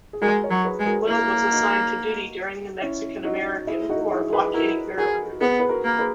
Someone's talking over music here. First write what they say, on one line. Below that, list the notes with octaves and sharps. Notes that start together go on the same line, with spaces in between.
Wells was assigned to duty during the Mexican-American War blockading Vera Cruz.
G#4
G#3 F#4 A#4
A#4 C#5
F#3
G#4 B4
G#3 G#4
F#4 A#4
A#3 E4 G#4
D#4 F#4
C#4 E4
D#4 F#4
E4 G#4
D#4 F#4
E4 G#4
G#4 B4
E4 F#4 A#4
F#4 G#4 A#4
B3 G#4 B4
B4
F#4 A#4
A#3
G#4 B4